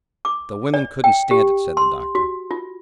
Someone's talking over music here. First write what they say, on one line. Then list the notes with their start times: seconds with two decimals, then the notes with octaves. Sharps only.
"The women couldn't stand it," said the Doctor.
0.25 D6
0.74 D5
1.04 G5
1.31 G4
1.77 C6
2.15 F#4
2.51 F4